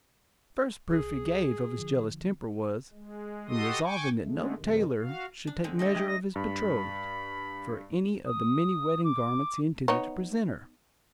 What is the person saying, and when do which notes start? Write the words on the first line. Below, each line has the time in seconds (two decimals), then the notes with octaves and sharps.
The first proof he gave of his jealous temper was, in resolving that no tailor should take measure of his betrothed for any of the many wedding garments he intended to present her.
0.90 C2 G#4
1.78 D3 F3
2.93 G#3
3.49 F#4 G4 A4 D#5 C6 D#6
3.83 G5 G#5 C#6 D6
4.23 D3 G#3 A3
4.56 F#2 C3 D#3
5.01 F#4 F5
5.47 D4
5.64 D3 G#3 C4
5.79 A3 C4 A4 D#5
5.95 G#3 G4
6.08 D#5 A#6
6.36 G2 B5
8.26 D#6
9.04 D6
9.88 B3 D#4 C#5